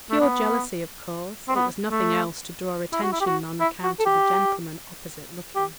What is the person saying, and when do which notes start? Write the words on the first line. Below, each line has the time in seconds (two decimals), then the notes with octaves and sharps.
Pure jealousy of course it was nothing else to draw attention on account of the gentleman opposite looking.
0.10 A3
0.21 B3
1.49 C4
1.56 B3
1.91 A3
2.93 E4
3.03 F#4
3.12 E4
3.21 G4
3.26 F#4
3.60 E4
3.83 F#4
4.00 A4
4.06 G4
5.55 G4